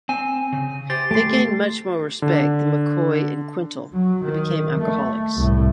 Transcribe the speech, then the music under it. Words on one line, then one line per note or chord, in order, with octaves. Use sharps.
They gained much more respect than McCoy and Quintal, who became alcoholics.
C4 G#5
C#3
G4 C5 A6
A3 G4 C6
D3
F#3
D#3
A3
C2 A2